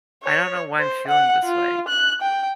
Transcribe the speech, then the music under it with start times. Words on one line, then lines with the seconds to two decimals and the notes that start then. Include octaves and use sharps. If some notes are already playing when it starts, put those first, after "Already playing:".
"I don't know why I'm feeling this way,
0.23 C#5
0.79 C5
1.08 F#5
1.45 F4
1.88 F#6
2.21 G5